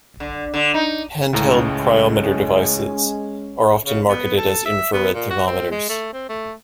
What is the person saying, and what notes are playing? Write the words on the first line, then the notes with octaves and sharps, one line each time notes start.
Handheld pyrometer devices are often marketed as infrared thermometers.
D3
D3
D#4
C#2 A2 G#3 C#4 A#5
C#3
B3
A4
E5
B3
A#2
F#4
C4
G#3
A3
C4
A3